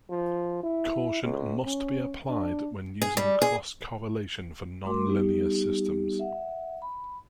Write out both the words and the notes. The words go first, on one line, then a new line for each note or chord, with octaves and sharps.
Caution must be applied when using cross correlation for nonlinear systems.
F3
E4
C#2
C#4
D4
G#4
G3
G#4
G3 A3 F#4 A#4 C6 D6
G3 B3 D#4 G4
E5 F#5
B5